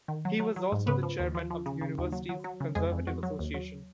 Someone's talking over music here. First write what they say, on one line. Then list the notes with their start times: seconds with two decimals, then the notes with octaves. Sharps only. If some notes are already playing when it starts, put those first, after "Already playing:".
He was also the chairman of the University's Conservative Association.
0.08 D#3
0.25 F#3
0.40 F#3
0.56 F#3
0.72 G#2
0.87 C#3 B3 B4
1.03 F3
1.19 D#2
1.35 F3
1.50 F3
1.66 C#3
1.81 C#3
1.98 D#2
2.12 F#3
2.29 F#3
2.44 F#3
2.60 C#3
2.75 F2 G#3 G#4
2.92 F2
3.07 F2 F#4
3.23 F#3
3.39 D#2
3.54 F#3